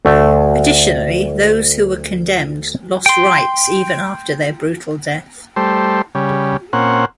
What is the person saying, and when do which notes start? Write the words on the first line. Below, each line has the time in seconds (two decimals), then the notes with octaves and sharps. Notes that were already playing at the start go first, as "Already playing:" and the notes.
Additionally, those who were condemned lost rights even after their brutal death.
0.05 D2 A3
3.06 G5 C6
5.56 G3 A3 C5
6.15 C#3 G3
6.73 A#2 C4 C#4 F#5